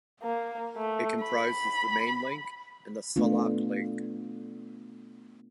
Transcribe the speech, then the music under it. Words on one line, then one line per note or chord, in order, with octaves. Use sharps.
It comprises the Main Link and the Salak Link.
A#3
A3
B5
A3 B3 D4 F4